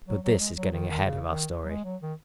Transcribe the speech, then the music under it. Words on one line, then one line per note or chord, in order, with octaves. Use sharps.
But this is getting ahead of our story.
F#3
F#3
G#3
F#3
D#3
D#3
C#3
D#3
F#3
G#3
F#3
D#3